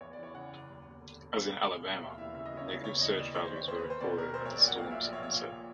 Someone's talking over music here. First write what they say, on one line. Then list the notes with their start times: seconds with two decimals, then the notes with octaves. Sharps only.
As in Alabama, negative surge values were recorded at the storm's onset.
0.01 E2 C#5
0.13 D5
0.19 E3 C#5
0.34 C#3 F#5
0.52 F#1
0.68 D#2
0.85 E1
1.01 D3
1.18 E1
1.34 E2 F5
1.51 F1
1.68 B2
1.85 F1
2.01 D#2 E5
2.10 F5
2.18 E3 E5
2.34 C#3 E5
2.46 D#5
2.51 E1
2.57 C#5
2.68 C#3 C#5
2.84 D#2 C#5
3.01 E3 D#5
3.18 D#2 D5
3.34 D#3 C#5
3.46 C5
3.50 D#3
3.56 C#5
3.68 D#2 C5
3.78 B4
3.85 D#2
3.90 C5
4.00 B2 D5
4.18 B2 A#4
4.34 B1 C5
4.45 C#5
4.51 B1
4.56 D5
4.67 A#2 F#5
4.78 F5
4.84 A#2
4.90 E5
5.01 A#1 D5
5.13 C#5
5.18 A#1
5.23 C#5
5.34 A#2
5.52 A#2